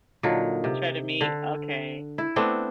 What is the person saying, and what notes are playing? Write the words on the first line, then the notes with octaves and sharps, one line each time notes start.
Shredded meat? Okay.
A#2 D3 F#3 D#4
C3
D3
E4
A3 B3 C4 D4